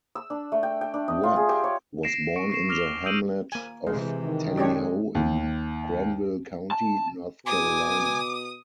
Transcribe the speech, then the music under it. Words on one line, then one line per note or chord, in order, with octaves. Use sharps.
Webb was born in the hamlet of Tally Ho in Granville County, North Carolina.
E6
D4
A3
G5
G5
D4
D#5
F4
G#4
G4
C#5
A#6 C7 D7 E7
C#6 C#7 D7
C#6 C7 E7
D6 F6 A#6 C7 F7 G7
D#6 E6 G6 D7 D#7 F#7
A#3 G#5
C3 E3 G#3
D#3
G#3 D4 G4 C#5
D#2
A5
B2 G#5 D6 D#6